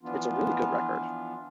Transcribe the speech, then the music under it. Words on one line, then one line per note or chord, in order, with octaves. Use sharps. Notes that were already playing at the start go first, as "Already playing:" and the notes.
It's a really good record.
E3 F3 B3 D4 F4